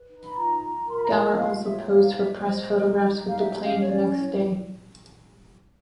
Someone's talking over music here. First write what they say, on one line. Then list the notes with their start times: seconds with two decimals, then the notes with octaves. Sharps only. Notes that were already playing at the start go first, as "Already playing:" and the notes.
Gower also posed for press photographs with the plane the next day.
Already playing: B4
0.10 D#4
0.24 B5
0.36 F4 A#5
0.61 F4
0.86 A#4 C6
0.96 B5
1.03 A#5
1.11 F4 A5
1.36 F4 F5
1.61 C#5 E5
1.86 D#4 F5
2.02 F5
2.12 C5 E5
2.37 C5 D#5
2.62 D#4
2.88 G4
3.13 D#4
3.28 F5
3.38 G4 E5
3.63 C#4 F5
3.80 C#5
3.88 C#4 D5
4.07 D5
4.14 E4 C#5